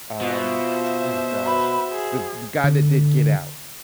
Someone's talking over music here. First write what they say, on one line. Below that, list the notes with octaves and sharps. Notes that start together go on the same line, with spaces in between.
uh, um, oh gosh. The the guy that did Get Out.
B2 F4 C5 E5
F#4 B4
G#4
D3